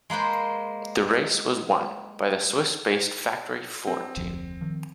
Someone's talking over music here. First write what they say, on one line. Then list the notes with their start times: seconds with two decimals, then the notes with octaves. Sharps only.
The race was won by the Swiss-based factory Ford team.
0.10 G#3 A#3 B4 C5
3.87 C4
4.17 F1 D2 F3
4.61 D#3 F3